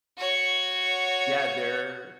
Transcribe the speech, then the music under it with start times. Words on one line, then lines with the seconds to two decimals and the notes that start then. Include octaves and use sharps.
Yeah. There
0.18 F#4 C#5